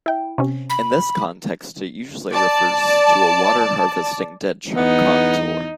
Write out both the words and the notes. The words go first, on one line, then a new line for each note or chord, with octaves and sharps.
In this context it usually refers to a water-harvesting ditch on contour.
E4 G5
C3 C#4
B5
D5 A5
E2 B3 D#4